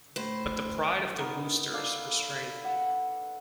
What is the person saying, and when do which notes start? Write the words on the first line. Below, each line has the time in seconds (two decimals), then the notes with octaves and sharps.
But the pride of the Woosters restrained me.
0.16 A2 C5
1.17 B3 D#4 A#4
1.74 A4 D5 F5
2.64 F#5